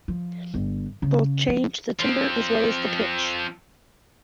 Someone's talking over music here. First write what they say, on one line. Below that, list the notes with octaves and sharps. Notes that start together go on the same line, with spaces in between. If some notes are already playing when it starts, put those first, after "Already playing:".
Both change the timbre as well as the pitch.
F3
G1
C#3
F3
F3 C4